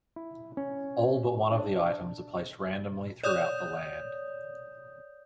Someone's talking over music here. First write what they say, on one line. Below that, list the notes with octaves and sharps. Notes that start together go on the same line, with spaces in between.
All but one of the items are placed randomly throughout the land.
E4
C#4
D4
C#5 D5 D#6 G6